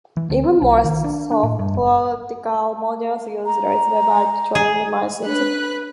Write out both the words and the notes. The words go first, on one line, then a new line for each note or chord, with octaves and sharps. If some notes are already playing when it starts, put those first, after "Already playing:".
Even more sophisticated models use reversible Turing machines.
E3
D2
C4
B1
D#3
D4
D4
A2
G2
F#1
A#5
G#4
D4 B4 C#5 B5 F#6